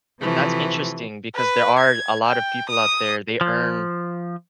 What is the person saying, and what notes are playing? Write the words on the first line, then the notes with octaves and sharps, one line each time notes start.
that's interesting because there are a lotta people out there, they earn
C3 E3 F3 A3
B4
G#6
G5
D#6
F3